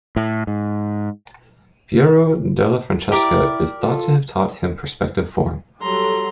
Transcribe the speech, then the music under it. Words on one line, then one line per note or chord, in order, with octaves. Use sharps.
Piero della Francesca is thought to have taught him perspective form.
A2
G#2
E4 G4 A#4 D5
F4 A4
F#3 G3 A4 A#5 C6